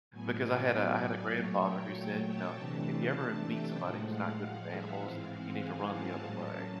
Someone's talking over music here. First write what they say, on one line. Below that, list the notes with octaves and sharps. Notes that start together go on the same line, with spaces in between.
Because I had a I had a grandfather who said, you know, "If you ever meet somebody who's not good with animals, you need to run the other way."
A2 F#3 B3 G#5
D5
A#2 F#3 A3 C#5
G5
A5
C3 E3 A3 D4 A5
A5
G5
A2 F3 G#3 F#5
F5
F5
E5
G#2 E3 G#3 C4 F5
F#5
G#5
A5
A2 F#3 A#3 C#4